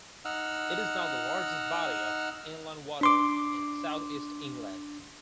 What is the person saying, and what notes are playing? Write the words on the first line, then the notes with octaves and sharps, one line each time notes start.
It is now the largest body of inland water in south east England.
D#4 F#5 E6 F6
D4 C6 D6